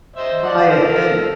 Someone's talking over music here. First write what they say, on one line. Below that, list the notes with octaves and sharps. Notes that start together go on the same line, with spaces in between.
By a an
C5 D#5 E5
D5 F#5
A4 A#4